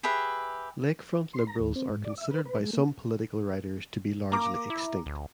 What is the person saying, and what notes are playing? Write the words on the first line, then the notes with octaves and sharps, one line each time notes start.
Lakefront liberals are considered by some political writers to be largely extinct.
G4 G#4 B4 E5
C6
A#5
D#2
C4
G#2
D5
E5
B4
B4
G#3
A#3
A#3 A#5 D6
E4
D2